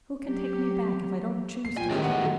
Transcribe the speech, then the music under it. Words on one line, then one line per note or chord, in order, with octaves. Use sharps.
Who can take me back, if I don't choose to go?
F#3 G4
C7
A#2 G5 G#5
A2 D#3 G#3 C#4 G4
B3 F#5
F#3 A3